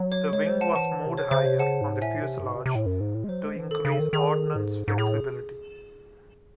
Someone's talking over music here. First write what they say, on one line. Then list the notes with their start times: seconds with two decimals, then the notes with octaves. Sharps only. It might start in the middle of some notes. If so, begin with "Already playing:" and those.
The wing was moved higher on the fuselage to increase ordnance flexibility.
Already playing: F#3
0.12 C#5
0.33 G#3 C#5
0.47 C5
0.61 F#5 A5
0.75 E3 F#5 A5
1.06 C3
1.17 C#3 C#5
1.31 C#3 C5
1.45 C3 C#5
1.59 C#3 F#5 A5
1.81 G#2
2.01 A2 E5 G#5
2.23 C3
2.39 F#2
2.44 G#2
2.55 C3
2.66 C3
2.75 A2
2.86 F#2
3.00 G#2
3.15 A2
3.24 G#3
3.29 F#3 C5
3.44 G#3
3.56 E3
3.71 D#3 A4
3.85 C#3
3.92 A4
4.00 D#3
4.13 D#3 G#4
4.55 G#2
4.88 G#2
4.98 A2 G#4